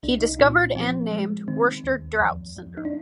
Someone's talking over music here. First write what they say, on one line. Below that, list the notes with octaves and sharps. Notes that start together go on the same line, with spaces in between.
He discovered and named Worster-Drought syndrome.
C2 D4
D#4
A#2 F4
F3 C4
G#3
D#3 C4
D#2
F2
F2
D#4
D4